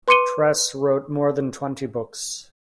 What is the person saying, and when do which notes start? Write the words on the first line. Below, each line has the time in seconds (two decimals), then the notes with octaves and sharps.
Trese wrote more than twenty books.
0.08 B4 C6 D6 C#7 D#7 G7